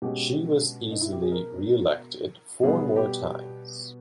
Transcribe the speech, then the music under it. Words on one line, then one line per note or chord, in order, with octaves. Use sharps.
She was easily reelected four more times.
B2 G#3 C#4 G4
D#4
E4
G4
G#4
A#4
B2 G3 B3 G#4
G4